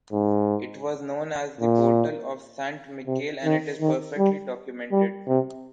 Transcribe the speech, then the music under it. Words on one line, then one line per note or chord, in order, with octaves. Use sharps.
It was known as the portal of Sant Miquel and it is perfectly documented.
G#2
A#2
C3
D#3
D#3
G3
G3
C3